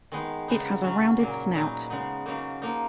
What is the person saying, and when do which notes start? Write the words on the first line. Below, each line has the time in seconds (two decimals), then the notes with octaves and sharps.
It has a rounded snout.
0.12 D#3 G#3 B3 D#4
0.48 C#3 G#3 B3 D#4
0.83 C#3 F#3 C#4
1.19 A#2 F#3 A#3
1.55 A#2 F#3 B3 D#4
1.90 C#3 G#3 B3 D#4
2.26 C#3 F#3 A#3 D#4
2.62 F3 A#3 D#4